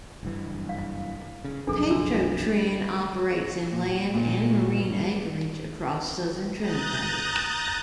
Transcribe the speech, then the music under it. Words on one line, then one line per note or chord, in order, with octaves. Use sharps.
Petrotrin operates in land and marine acreage across southern Trinidad.
F#1 G2 E3
F5
C#3
F#1 B1 F2 D4 G#4 A4
D4 F#4 E6
A#2
G4
A#2
G2
D5
A#5 D#6 F#6 G6 A6